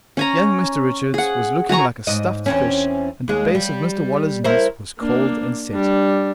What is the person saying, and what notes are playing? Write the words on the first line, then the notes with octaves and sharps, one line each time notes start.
Young Mr Richards was looking like a stuffed fish, and the face of Mr Waller's niece was cold and set.
C#4 G#5 A#5
G#4 F#5
F#4 G#5 A#5 C#6
G#2 D#5
E2 C4 C#4
D#2 G#3
G3
E4 A#4 C5
A#3 D4
G3 D4